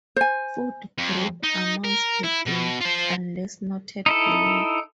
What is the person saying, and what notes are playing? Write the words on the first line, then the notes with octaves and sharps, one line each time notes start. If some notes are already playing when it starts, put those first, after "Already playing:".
Food group amounts per day, unless noted per week.
C5 G#5
F2
D#4
A#4
E4
B2
F4 C5
D#4 E4 A4